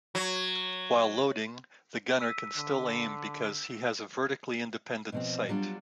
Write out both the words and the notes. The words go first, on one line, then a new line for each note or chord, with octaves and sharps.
While loading, the gunner can still aim because he has a vertically independent sight.
F#3
E6 B6 D#7
D3
B2 F3 C4
F#3 G3 D4 F4